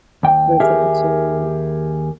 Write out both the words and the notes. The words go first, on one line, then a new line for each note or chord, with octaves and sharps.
listening to,
D#2 G5
D#2 G4 G#4 A#4 E5